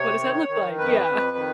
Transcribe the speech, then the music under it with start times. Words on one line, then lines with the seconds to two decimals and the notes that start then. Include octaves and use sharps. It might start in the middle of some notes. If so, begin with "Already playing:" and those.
What does that look like? Yeah.
Already playing: C3 C#5
0.19 D#3
0.48 D#3
0.78 F2 B4
1.07 F2
1.37 D#3